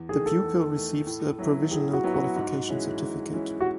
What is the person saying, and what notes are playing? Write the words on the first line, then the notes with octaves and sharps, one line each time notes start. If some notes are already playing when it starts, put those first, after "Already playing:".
The pupil receives a Provisional Qualification Certificate.
Already playing: E2
D#3 A3 G#4
A4
E2
D#3 A3
A2
F#3 B3 E4
A2 G#4
F#4
F#3 B3 E4
F#4
G#2
E3 G#3 C#4 E4
G#2
E3 G#3 C#4 E4
F#4